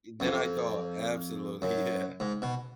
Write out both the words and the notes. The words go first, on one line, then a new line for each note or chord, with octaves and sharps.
Than I thought, absolutely. Yeah.
F#2
F2
F#2
G#2
B2